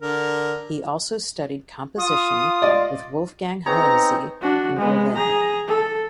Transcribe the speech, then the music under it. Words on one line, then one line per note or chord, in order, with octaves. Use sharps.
He also studied composition with Wolfgang Hohensee in Berlin.
D3 A#4
F4 D#6
D5 D#5
B3 C4 D#4 G#4 C#5 A#5
D4 F#4
G#3 B3
G#4 A#5
A4